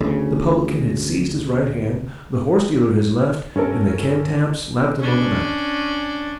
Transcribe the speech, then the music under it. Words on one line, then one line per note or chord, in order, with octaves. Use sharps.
The publican had seized his right hand, the horse-dealer his left, and the Cantab slapped him on the back.
D2 C#3
G2 C#4 A4 A#4
C#4 D4